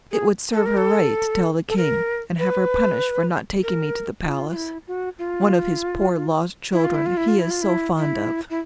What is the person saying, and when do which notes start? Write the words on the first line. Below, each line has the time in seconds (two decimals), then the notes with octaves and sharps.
It would serve her right to tell the king and have her punished for not taking me to the palace--one of his poor lost children he is so fond of!
0.11 G#4
0.53 A4
0.66 A#4
0.77 A4
1.69 A4
1.77 A#4
2.39 B4
3.63 A#4
4.26 F4
4.51 F4
4.56 E4
4.87 F#4
5.18 F4
6.73 E4
6.84 F4
6.95 E4
7.06 F4
7.17 E4
7.28 F4
7.39 E4
7.50 F4
7.62 E4
7.97 E4
8.50 E4